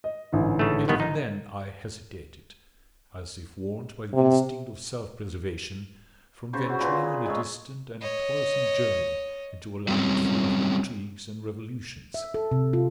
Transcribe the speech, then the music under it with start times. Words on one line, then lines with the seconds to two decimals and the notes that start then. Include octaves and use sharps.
Yet even then I hesitated, as if warned by the instinct of self-preservation from venturing on a distant and toilsome journey into a land full of intrigues and revolutions.
0.04 D#5
0.32 A1 G#2 D3
0.59 C#3 A3
0.88 G2 D#3 B3
1.00 D#4
4.13 C3
6.53 C#3 C5 C#6
6.65 E4 F#4
6.79 A#2 B4 C6
6.92 F4
7.04 G#4
7.26 G#3 A4 C#5
8.01 C#5 D#5
9.88 F#3 G3 C4 C#4
12.14 E5
12.34 A4
12.52 C3
12.73 F4